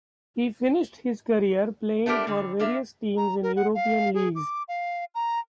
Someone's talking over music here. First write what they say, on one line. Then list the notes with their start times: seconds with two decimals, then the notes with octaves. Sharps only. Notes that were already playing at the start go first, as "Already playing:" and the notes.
He finished his career playing for various teams in European leagues.
2.06 A3 B3 D4 G4 A#4
2.27 D3 G3
2.59 A#3 D4 A#4 E5
3.17 A#5
3.43 A#4
3.56 F#5
3.75 F5
4.15 G#4
4.35 D6
4.68 F5
5.15 A#5